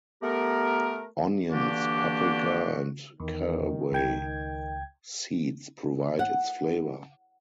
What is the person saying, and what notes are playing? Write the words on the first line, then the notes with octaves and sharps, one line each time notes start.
Onions, paprika and caraway seeds provide its flavour.
A3 B3 G4 A#4
D3 E3 A#3 D4 F#4 G4
E2 D#3
C#2 G5 G#6
F#5